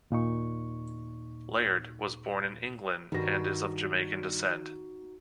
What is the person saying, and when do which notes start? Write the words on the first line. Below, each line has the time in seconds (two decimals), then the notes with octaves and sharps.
Laird was born in England and is of Jamaican descent.
0.10 D#2 A#2 D#4 C#6
3.12 G2 D#3 G3 D#4 F#4 A#6